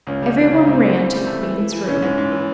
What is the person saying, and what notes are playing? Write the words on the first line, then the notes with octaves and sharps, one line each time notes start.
Every one ran to the queen's room.
C#2 C#4
G3
E3
C#4
C#3
G3 C4
E3
C#3
G3
A3
E3
E3
E3
E3 C#4
G#2
G#2
E3